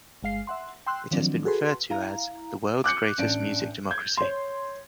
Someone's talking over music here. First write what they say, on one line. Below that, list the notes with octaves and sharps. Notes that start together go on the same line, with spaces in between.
It has been referred to as "the world's greatest music democracy".
G1 G#3 F5 C7
E5 F#5 C6
G5 C6 E6 F#6
D#3 F3 F#3 C4 D4
F#4 G#4 A4 B4 C6
E4 F5 A#5
D6 F#6 G6 C#7
A1 D4 D7
G6 G#6
C#5 C6